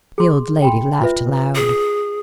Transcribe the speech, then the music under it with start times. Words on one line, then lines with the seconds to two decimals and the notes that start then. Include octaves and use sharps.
The old lady laughed aloud.
0.18 G#4 C6
0.62 G5 B5 C6
1.02 F4 B4 E5
1.55 G#4